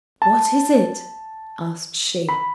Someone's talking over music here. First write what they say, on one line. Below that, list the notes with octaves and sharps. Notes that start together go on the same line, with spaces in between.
'What is it?' asked she.
A5
B5